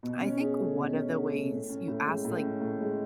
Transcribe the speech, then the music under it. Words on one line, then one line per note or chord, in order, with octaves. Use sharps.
I think one of the ways you ask, like,
B2
C#4
G#4
A3
B2
C#4
G#4
A3
A2
C#4
A2
G#3
A2
C#4
A2
G#3